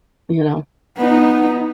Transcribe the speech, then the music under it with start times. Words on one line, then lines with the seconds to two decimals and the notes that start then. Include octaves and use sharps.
You know?
0.97 B3 D#4